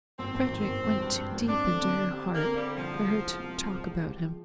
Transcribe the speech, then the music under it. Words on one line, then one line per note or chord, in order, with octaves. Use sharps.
Frederick went too deep into her heart for her to talk about him.
G#1 C4
G#1
D#3
G#1
G#1
G2
G2
G#1
C4 D4
D3
C4
C4
G4
D3
A#3
C4
G3
D3
C2 F3
G#3
C2
G#3
C3
C2
C2
G#3
G4
F3